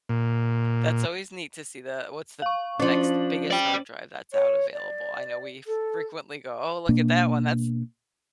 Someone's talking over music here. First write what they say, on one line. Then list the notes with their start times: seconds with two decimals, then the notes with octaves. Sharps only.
That's always neat to see the what's the next biggest hard drive that's out available. I know we f frequently go, "Oh, look at that one, that's"
0.09 A#2
2.42 F5 C#6
2.80 F3 C#4 D4 C5 F#7
3.51 D5 G5
4.33 C#5
4.73 D5
5.66 A4
6.89 B2 A#3 D4